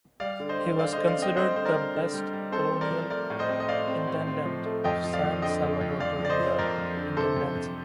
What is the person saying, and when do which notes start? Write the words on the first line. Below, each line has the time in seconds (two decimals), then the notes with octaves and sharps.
He was considered the "best colonial intendant" of San Salvador during the intendancy.
0.20 G3 D5 F5
0.40 D3
0.49 C5 D#5
0.59 G3
0.78 D3 D5 F5
0.93 D3 C5 D#5
1.07 D5 F5
1.17 C4
1.22 D#5 G5
1.37 G3 C5 D#5
1.56 D3 C5
1.65 A#4 D5
1.75 D3
1.95 D3
2.14 G3
2.33 G3
2.52 C4 A4 C5
2.72 C4
2.81 A#4 D5
2.91 F3
3.10 A3 A#4 D5
3.30 A2
3.39 C5 D#5
3.49 C4
3.60 D#5
3.68 C4 D5 F5
3.88 C4
4.07 A2
4.27 C4
4.45 F3
4.66 A3
4.84 F2 D#5 G5
5.04 F3
5.13 D5 F5
5.23 F3
5.42 D3 D#5 G5
5.62 F2
5.81 F2
6.00 F2 D5 F5
6.20 F3
6.25 D5
6.29 C5 D#5
6.40 F3
6.58 F2 A#4 D5
6.78 F3
6.97 D3
7.17 C3 A4 C5
7.36 F2
7.55 F2